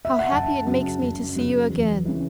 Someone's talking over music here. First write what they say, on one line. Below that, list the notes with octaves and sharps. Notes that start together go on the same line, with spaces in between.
How happy it makes me to see you again!
E5
F#5
F#1 A5
F#2 C#3
F#1
F#2 C#3
E2
C#3 E3